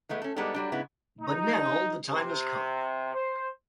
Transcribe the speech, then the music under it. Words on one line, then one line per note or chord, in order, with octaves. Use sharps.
But now the time has come.
E3 G#3 A3 B3
C#4 A4
G3 G#3 B3 D4 D#4 A4
F#3 G3 D4
G#2 C#3 B3 E4
D#4
C3
C5